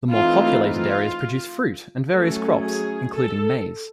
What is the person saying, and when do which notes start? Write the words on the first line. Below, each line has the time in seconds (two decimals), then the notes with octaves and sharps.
The more populated areas produce fruit and various crops, including maize.
0.11 E3 A3 C4 D#4 F4
0.62 F4
2.14 F#3 A3 C#4 A4
2.65 G#4
3.15 A4